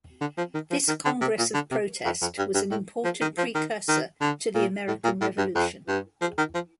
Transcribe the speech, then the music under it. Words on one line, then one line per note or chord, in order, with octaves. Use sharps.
This congress of protest was an important precursor to the American Revolution.
D3
F3
D#3
F3
D#3
D3
C3
A#2
D3
C3
F2
F2
G2
G2
A2
F3
D#3
F3
D#3
D#3
D3
A#2
A2
A#2
A2
G2
F2
G2
F3
D#3
F3